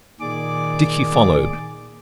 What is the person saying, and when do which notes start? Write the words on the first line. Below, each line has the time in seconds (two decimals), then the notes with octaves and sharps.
Dickie followed.
0.20 A#2 D#3 G#4 D5 D6